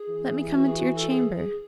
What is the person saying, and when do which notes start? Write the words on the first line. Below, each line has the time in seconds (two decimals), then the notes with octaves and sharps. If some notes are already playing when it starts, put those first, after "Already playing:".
Let me come into your chamber.
Already playing: G#4
0.09 E3
0.52 F#4
0.65 G#4
0.77 F#4
0.95 A4
1.09 G#4
1.37 G#4